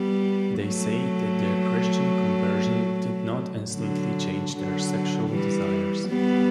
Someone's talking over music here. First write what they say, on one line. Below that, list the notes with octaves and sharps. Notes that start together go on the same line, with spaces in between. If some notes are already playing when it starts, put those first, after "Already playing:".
They say that their Christian conversion did not instantly change their sexual desires.
Already playing: G3 B3
F#3 A3
D3 F#3
D3 F#3
E3 G3
G3 B3